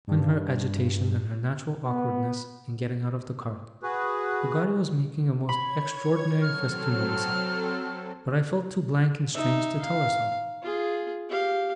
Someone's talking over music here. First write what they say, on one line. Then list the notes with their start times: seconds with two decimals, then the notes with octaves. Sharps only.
Between her agitation, and her natural awkwardness in getting out of the cart, Peggotty was making a most extraordinary festoon of herself, but I felt too blank and strange to tell her so.
0.07 G2
1.83 B3
3.83 F#4 G#4 B4
5.49 C#5 B5 G#6
6.42 F#3 C4 A4 F6
9.34 D#4 E5
9.81 F5
10.62 F4 G#4
11.29 G4 F5